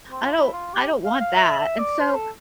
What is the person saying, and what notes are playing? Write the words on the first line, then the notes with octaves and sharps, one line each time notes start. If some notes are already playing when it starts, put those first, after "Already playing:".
I don't I don't want that," and so
C4
F4
E4
F4
G4
F5
F5
E5
E5
D5
C5
A4